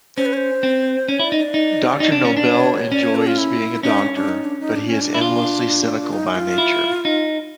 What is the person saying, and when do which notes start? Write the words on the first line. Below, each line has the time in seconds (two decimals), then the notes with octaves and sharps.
Doctor Noble enjoys being a doctor, but he is endlessly cynical by nature.
0.17 C#4 C5
0.26 B4
0.33 C#5
0.37 C5
0.63 C4
1.08 C#4 C#5
1.19 E4
1.24 D5
1.32 D#4
1.39 D5
1.54 D#4
2.00 D#4
2.12 D4
2.25 C#4
2.37 D4
2.47 C#5
2.92 C#4 D5
3.03 C#5
3.15 A4
3.27 F4
3.38 E4
3.83 C#4 D#4
3.99 D4
4.14 D4
4.29 D#4
4.45 D4
4.60 D#4
4.76 D4
4.89 C#4
5.02 D4
5.14 E4
5.21 F4
6.13 D#4
6.35 F4
6.58 E4
7.05 D#4